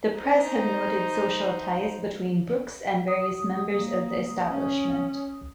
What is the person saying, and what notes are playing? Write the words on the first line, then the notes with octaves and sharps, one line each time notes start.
The press have noted social ties between Brooks and various members of the Establishment.
D#4 C5
D#6
A#3
C#4